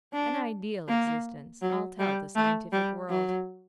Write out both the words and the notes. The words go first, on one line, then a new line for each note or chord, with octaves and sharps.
An ideal existence, I'll tell the scientific world.
D4
A#3
F#3
G3
A3
G3
F#3